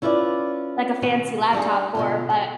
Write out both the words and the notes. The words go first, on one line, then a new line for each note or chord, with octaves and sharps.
like, a fancy laptop for, but.
C#4 E4 F4 B4 C5 D5
B2 D#3 F#4
G3 D4 D#4 G#4
B2 D3 F4
F#4